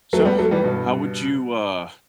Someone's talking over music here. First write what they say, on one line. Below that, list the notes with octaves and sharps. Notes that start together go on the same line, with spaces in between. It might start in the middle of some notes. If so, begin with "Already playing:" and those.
So, how would you, uh,
F#3 A3
G3 B3
F#3 A3
E3 G3
G2 B2